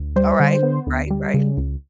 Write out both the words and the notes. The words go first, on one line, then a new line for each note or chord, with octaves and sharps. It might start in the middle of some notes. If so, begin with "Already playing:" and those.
Alright. Right, right.
Already playing: D2
G3 C5
D3
B3
D2
G3
C#3
C#2